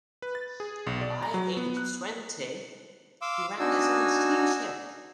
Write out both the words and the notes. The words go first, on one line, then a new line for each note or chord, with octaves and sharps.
By age twenty, he ran his own steamship.
B4
A6
G#4
B1
D5
A#5
F#3
B3
F#6
F5 C6 D6 E6
D4 D#4 F#4 G#5 E6